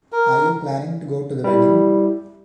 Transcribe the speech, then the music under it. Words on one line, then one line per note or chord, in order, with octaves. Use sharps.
Are you planning to go to the wedding?
A#4
G3 E4